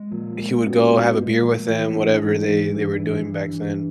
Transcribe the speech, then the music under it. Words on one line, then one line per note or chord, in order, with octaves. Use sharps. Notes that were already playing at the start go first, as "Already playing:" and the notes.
he would go have a beer with them, whatever they they were doing back then,
Already playing: G#3
A#2 F3
G#3
B2 C#4
G#3
A#2 G#3
F3
A2 E3
D4
G#2 E3
E3
G2 E3
E3
G2 E3
E3